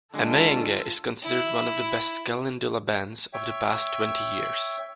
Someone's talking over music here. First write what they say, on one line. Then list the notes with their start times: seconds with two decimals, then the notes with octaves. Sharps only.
Amayenge is considered one of the best kalindula bands of the past twenty years.
0.14 D3 G#3 F4 A4
1.23 E4
3.33 C#5 E5 G5